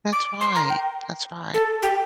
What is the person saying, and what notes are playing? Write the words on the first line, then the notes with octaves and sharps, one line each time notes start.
That's right. That's right.
D6
C6
A#5
G5
A4
G4